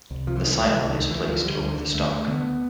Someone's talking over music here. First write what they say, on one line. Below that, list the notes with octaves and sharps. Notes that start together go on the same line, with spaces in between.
The scion is placed over the stock.
C2
C3 F3
E3
C2 D#3
E3
C2
C2
D3
D2 D#3
D2 E3
D2 F3
D3 G3
D2
D3
D2 A3
D2
D3 B3